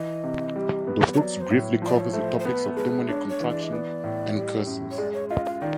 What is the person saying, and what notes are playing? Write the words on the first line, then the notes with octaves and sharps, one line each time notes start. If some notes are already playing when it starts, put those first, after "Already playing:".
The books briefly cover the topics of demonic contraction and curses.
Already playing: E3 D#5
C3
G3
B3
C#5
F#3 D5
C5
A2 C#5
F3 D5
C#5
A3 C5
C5
B3 B4
G#3 B4
D4 C#5
C#5
E3
D5
D#5
B3 D5
A2
G3
F#2
C#5
G#3 D5
C#5
F4 D#5
F5
D#3 D5